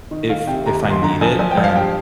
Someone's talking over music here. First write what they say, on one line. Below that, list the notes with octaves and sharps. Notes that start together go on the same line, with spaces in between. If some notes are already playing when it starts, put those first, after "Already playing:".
if if I need it, and
D#3
D#3 F5
C3 G5
D#2 A#5
D#2
C6
D3 A#5
F3 G#5
F3 G#5
G5
F3
F5
G2 G5